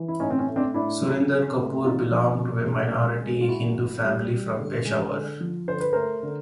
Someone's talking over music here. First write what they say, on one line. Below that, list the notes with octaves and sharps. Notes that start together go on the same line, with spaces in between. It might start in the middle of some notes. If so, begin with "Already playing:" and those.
Surinder Kapoor belonged to a minority Hindu family from Peshawar.
Already playing: E3
E4
A2 C#4 D#4
C4
C#4
A3
C4 D4
A2 D4 E4
F#3
C#3
A3
C#3 D#4 F4
F3
B2
B2
G#3
G#3
F4
A#2 E4 F#4
A#2
G3
G3
D3
G#3
D3
F3
D3 C5
B4
A3 A#4 C5
D3